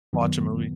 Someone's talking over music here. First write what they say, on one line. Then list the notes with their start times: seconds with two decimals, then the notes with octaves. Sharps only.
Watch a movie.
0.13 F#2 D#3 F#3 B3